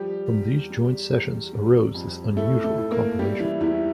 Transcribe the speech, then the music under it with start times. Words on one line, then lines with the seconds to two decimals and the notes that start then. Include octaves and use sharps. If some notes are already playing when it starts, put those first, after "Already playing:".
From these joint sessions arose this unusual compilation.
Already playing: F3 G3 G4
0.28 E2
0.70 G3
1.11 E2
1.53 G3
1.94 F2
2.37 A2 A3 A4
2.64 A3 A4
2.78 A2
2.91 A#3 A#4
3.19 G3 G4
3.40 E3 E4
3.60 E2 E3 E4